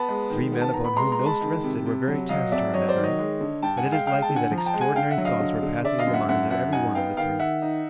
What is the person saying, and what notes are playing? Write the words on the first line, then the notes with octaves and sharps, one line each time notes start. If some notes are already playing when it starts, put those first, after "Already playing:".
The three men upon whom most rested were very taciturn that night, but it is likely that extraordinary thoughts were passing in the minds of every one of the three.
Already playing: B3 A5 B5
G#3
D#3
B3
A5
B3 A#5
B5
G#3 A#5 C6
A#5 C6
G#3
A5 B5
D#3
C3
C3
F#3
F#3 D#5 F5
F2 D5 E5
F#3 C#5 D#5
C5 D5
D#3
C#5 D#5
G#3
D3
G2 G5 A5
F#5 G#5
G#3
F5 G5
G#3 F5 G5
G5 A5
D3
F#5 G#5
F3
A#5
G5 A5
G#3
F#5 G#5
D3 F5 G5
E5 F#5
F#3
D#5 F5
D3
D3
D3 D5 E5
D#5 F5
F#2
E5 F#5
F#2 E5 F#5
F#2 E5 F#5
D#4 F#5 G#5
B3 F5 G5
D#3 F5 G5
D#3 E5 F#5
D#4